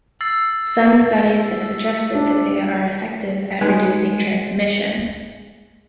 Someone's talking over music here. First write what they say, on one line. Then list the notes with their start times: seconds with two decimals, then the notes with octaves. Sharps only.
Some studies have suggested that they are effective at reducing transmission.
0.21 E6 A6 C7
2.15 D4
3.61 G#3 D#4 B4 G#5